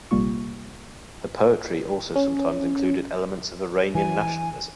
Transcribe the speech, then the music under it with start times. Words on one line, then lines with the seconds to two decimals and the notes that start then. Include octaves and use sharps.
Her poetry also sometimes included elements of Iranian nationalism.
0.11 A#1 C3 G3 A#3 F4 C#6
2.16 C#4
3.95 E3 G#5